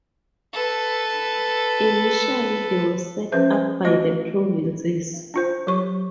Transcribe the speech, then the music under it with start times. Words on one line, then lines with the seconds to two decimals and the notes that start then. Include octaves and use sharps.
Initially they were set up by the Provinces.
0.54 A4 B4
3.32 F3 C#4 B4 C5 E5
3.85 A3 F#4 D#5
5.34 D4 F4 C5
5.67 F#3 G4 C#6